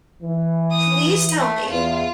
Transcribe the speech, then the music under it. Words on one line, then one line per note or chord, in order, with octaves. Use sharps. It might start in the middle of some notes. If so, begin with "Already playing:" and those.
Please tell me.
E3
D#6
A3
E2 F4